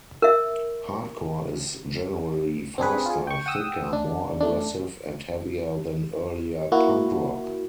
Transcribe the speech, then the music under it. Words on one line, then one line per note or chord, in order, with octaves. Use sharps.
Hardcore is generally faster, thicker, more aggressive and heavier than earlier punk rock.
A#4 E5
C4 D4 G#4 B4
F4 G#4
G5 C#6
F#5 G5 D#6 E6
D4
A3 D4
A#3 E4 F#4